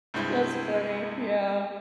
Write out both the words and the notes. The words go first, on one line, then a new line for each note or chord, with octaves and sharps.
That's funny, yeah.
C2 G2 G#3 C4 E4 G6